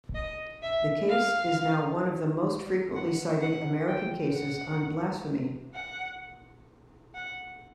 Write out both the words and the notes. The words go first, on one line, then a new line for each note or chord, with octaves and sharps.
The case is now one of the most frequently cited American cases on blasphemy.
D#5
E5
F5
F#5
F#5
G5
F#5
F#5
F#5